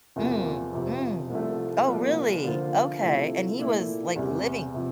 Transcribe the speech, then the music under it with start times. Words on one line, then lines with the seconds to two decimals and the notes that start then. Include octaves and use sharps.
Mm, mm. Oh, really? Okay. And, he was, like, living
0.16 E2 C3 F3 A#3
0.73 F2 C3 F3
1.30 C2 C3 F3 A3
1.87 C2 A#2 F3
2.44 D3 F3 A#3 F4 C5
3.01 C3 F3 A3 E4
3.59 A#2 A3 E4
4.15 E2 C3 G3
4.74 C3 F3